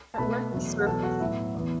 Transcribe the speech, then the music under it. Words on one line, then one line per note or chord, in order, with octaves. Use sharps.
weren't the surfers
A5
B2 A3 B4 B5
E2 B2 F#3 A3
F#5
E2 B2 F#3 A4 A5
F#4 F#5
A2 F#3 B3 E4 E5
E2 E3 B3